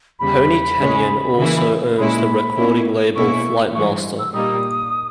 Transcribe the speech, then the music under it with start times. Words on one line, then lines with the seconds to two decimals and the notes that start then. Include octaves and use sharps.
Pony Canyon also owns the recording label Flight Master.
0.19 E2 C#3 G3 B5
0.79 C#3 G#3 C#4
1.38 C#3 E3 A#3 E4
1.97 A#2 G#3 C#4 E4 B5
2.57 B2 A#3 C#4 E4
3.15 B2 A#3 C#4 E4 C#6
3.75 G2 E3 G#3 C#6
4.19 E6
4.33 A#2 G3 A#3 D#4 D#6